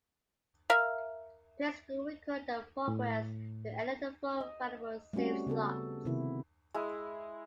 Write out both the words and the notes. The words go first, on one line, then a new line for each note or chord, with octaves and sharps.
Players could record their progress to any of the four available save slots.
A#4 E5 F5
A2
D#5
G3 A3 C4 C#4 F#4
C#3 B3 F#4 A4
C3 D#3 B3 E4
G#3 E4